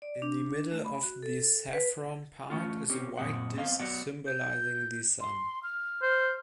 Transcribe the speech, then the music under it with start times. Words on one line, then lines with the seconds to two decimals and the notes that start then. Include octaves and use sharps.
In the middle of the saffron part is a white disc symbolizing the sun.
0.02 D5
0.22 D4
0.72 A3
0.85 B5
1.03 F#4
1.23 A4
1.73 B4
2.50 E3 A3 C#4 F4
2.89 C4 C#4 G4
3.17 F#2 A#2 G3 C4 G#4 F#5
3.57 B3 C4 D#5 F5
3.79 F#3 B3 D5 F#5
4.27 G6
5.21 C6
5.63 F6
6.02 C5